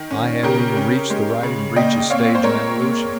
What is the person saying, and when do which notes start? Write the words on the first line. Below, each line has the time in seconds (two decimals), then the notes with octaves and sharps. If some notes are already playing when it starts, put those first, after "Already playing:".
I haven't even reached the riding-breeches stage in evolution.
Already playing: D#3
0.11 C#4
0.43 C#3 G4 A#4
0.77 C#4
1.10 G#3
1.43 C#3
1.76 A#2 D#5 G5
2.10 C4 C#5 F5
2.35 C5
2.44 G#3 A#4 C#5
2.76 A#2